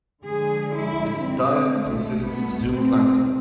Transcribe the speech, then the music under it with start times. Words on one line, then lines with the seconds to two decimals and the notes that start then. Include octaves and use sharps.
Its diet consist of zooplankton.
0.24 D3 F3 G#3 G#4
0.73 E4
1.23 D3 G#3 C4
1.72 A3
2.22 B2 A3 B3
2.71 C4